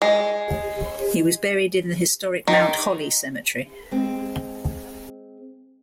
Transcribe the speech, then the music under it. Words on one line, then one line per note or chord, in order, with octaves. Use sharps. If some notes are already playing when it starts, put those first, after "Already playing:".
He was buried in the historic Mount Holly Cemetery.
G#3
D#3
G#3 C4